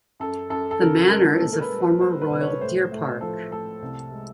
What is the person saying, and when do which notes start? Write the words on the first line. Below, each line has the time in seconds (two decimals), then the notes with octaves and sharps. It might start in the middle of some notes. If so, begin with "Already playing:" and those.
The manor is a former royal deer park.
0.20 F#2 A4
0.50 F#2 A4
0.71 A4
0.80 C#3 A#4
1.10 G#3 A#4
1.41 A#2 A4
1.53 A#4
1.61 B4
1.70 G3
1.80 C5
2.01 G3 C5
2.22 B4
2.31 C2
2.41 C#5
2.61 A2 C5
2.92 A2
3.21 F3 A4
3.51 A2 A4
3.82 C2
4.12 G#3